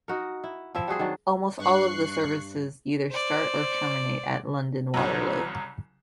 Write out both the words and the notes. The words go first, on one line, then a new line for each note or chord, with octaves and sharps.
Almost all of the services either start or terminate at London Waterloo.
D#4 F#4 A#4
E4
F3 C4 E4 E5
G3 F#4 G#4 C5
D#3 F#3 D4
G2 C#6 F#6 C7
C5 D5
C2 C#3 F#3